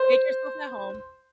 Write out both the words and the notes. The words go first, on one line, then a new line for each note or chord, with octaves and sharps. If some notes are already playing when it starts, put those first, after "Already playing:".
"Make yourself at home."
Already playing: C5